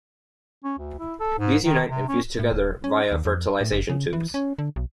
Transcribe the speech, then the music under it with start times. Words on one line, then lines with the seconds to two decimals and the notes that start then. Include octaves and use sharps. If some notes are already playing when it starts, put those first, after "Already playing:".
These unite and fuse together via fertilization tubes.
0.64 C#4
0.78 D2
0.99 E4
1.20 A4
1.38 G#2
1.65 D#3
1.90 C3
2.08 C#4
2.39 A2
2.52 D#1
2.84 C#4
3.12 D#2
3.25 F2
3.61 A2
3.72 F#1
3.89 C#3
4.13 E3
4.34 C#4
4.59 D3
4.76 B1